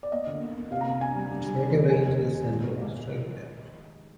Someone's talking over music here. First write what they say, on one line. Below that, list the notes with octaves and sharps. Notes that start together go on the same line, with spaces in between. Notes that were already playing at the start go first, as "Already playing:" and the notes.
Its native range is central Australia.
D5
A#3 D#5
D3
A#3
A#3
C3 F5
A#5
C3
A#5
D4 G#5
G3
D4
G3
D4
F2
D#3 G#5
D#2
D#2
D#2
G#2
G#2